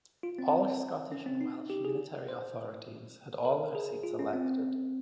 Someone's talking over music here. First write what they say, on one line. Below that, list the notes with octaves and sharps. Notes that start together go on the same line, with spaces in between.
All Scottish and Welsh unitary authorities had all their seats elected.
F4
C4
C#4
C4
D#4
G4
G#4
C5
A#4
G#4
F4
C#4
C4